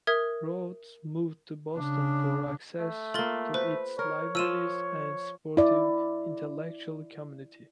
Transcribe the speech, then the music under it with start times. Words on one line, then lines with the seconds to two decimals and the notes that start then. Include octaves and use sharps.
Rhodes moved to Boston for access to its libraries and supportive intellectual community.
0.07 A#4 E5 D#6 G#6
1.77 C#3 D4
2.80 A3
3.14 A#3 F4 A4 A6 G7
3.54 B4 C5
3.99 A#4 C#5
4.35 F3 F4 E6 D#7 E7
5.57 E4 D5